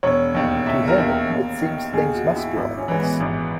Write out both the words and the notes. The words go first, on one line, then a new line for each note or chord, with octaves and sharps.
To him it seems things must be like this.
E1 C#5
D#2 D#3
E1 E5
A#4
D#2 D#3
A#4
D#2
D#3
D#2 G#4
F#4
D#3
E4
G#1 E4
C#4
G#2 E3
B3
G#1